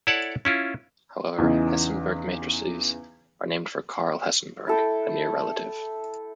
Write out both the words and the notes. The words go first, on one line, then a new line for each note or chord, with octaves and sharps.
However, Hessenberg matrices are named for Karl Hessenberg, a near relative.
E4 A4 C#5 D5 F#5 A5
C#4 E4 F4
E2 C#3 E3 D#4
E4 A4 G5